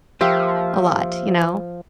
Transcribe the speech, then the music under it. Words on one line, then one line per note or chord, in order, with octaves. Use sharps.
a lot, you know?
F3 A#3 G4 C5 E5 F5